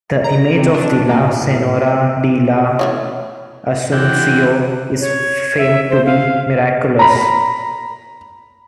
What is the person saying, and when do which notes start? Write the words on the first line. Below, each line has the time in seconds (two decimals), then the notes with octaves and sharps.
The image of the "La Señora de la Asuncio" is famed to be miraculous.
0.24 A#5
0.57 C3
0.74 D4
1.09 A#3
1.23 A2
1.41 A2
2.79 E3 F#3 A3 C#4
3.92 D3 E3 F#4 G4
5.01 C#5
5.58 E5
5.90 C5
6.06 F5
6.99 A#5 B5